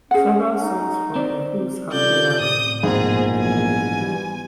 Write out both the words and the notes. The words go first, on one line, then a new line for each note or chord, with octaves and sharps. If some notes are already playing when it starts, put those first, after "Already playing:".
Several songs from the Who's Happy Now?
C#4 G#4 F#5
D#4
C4 D5
C3 C#4 F4 A4 D5 G6
A2 D#6
A#1 G#2 B2 C4 G#4
E3 F#3 B3 G#5
G3